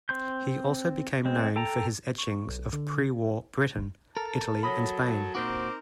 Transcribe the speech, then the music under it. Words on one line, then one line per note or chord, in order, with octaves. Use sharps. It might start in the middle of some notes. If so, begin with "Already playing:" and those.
He also became known for his etchings of pre-war Britain, Italy and Spain.
C4 C6 G6
G#3 C4
A4 G5 A5 A#5
C#6
B1
D3
A4 A#4 A5
F#3 B5 D#6 A#6
A#2 C4 D#4 F#4 A#4 C5 D6